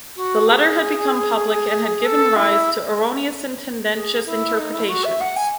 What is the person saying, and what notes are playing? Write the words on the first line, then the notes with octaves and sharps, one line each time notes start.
The letter had become public and had given rise to erroneous and tendentious interpretations.
F#4
G#4
A4
E4
G#4
E4
D#4
E4
F#4
E5
F#5
G#5